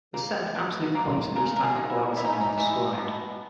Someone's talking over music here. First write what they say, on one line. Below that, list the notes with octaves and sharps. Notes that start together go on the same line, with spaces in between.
The set of absolute points of each type of polarity can be described.
A#3
B2
A#3
C#3 A#4
A#4
G#4
A#3 D#4
E4
E3 E4
D#4
C#4
D#4
E3
B2